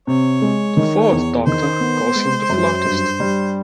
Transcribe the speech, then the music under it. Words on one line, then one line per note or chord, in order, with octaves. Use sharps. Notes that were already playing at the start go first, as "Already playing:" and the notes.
The Fourth Doctor calls him the flautist.
C3 C#5
G#3
D#3
E2
D#3 C5
B3
G#3
F#2
G2
G3